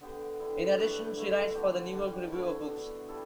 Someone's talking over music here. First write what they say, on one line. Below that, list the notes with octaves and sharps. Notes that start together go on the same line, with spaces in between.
In addition, she writes for the "New York Review of Books".
D3 B3 G4
D3 G3 E4
A2 A3 D4 B4
D3 A3 E4
D3 B3 D4 G4
E3 G3 D4
D3 A3 E4
B2 B3 D4
G3 E4 A4